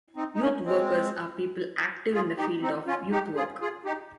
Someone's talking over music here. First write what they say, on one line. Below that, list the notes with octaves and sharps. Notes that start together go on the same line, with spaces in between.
Youth workers are people active in the field of youth work.
C4 D#4
D#4
A#3 C#4
G#3 C4
F4 G#4
D#4 G4
C4 D#4
C#4 F4
D#4 G4
F4 G#4
F4 G#4
D#4 G4